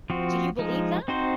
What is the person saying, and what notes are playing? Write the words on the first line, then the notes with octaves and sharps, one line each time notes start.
Do you believe that?
F3 C4 F#4
F3 G#3 D#4
C4 D#4 F#4 C5